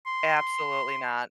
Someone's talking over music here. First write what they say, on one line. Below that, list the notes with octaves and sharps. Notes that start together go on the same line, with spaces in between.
Absolutely not.
C6